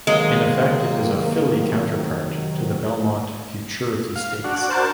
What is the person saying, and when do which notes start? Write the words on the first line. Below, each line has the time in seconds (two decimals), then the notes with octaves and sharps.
In effect, it is a filly counterpart to the Belmont Futurity Stakes.
0.07 C3 D#3 F#3 G#3 A#3
4.16 F5
4.44 D4 F#4
4.69 A#4 C5 A5